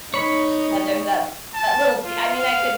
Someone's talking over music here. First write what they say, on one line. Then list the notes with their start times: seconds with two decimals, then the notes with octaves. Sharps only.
Yeah, there's that that little de I mean, I could
0.14 D#4 C#5 B5
1.55 A5
2.04 F4
2.36 F5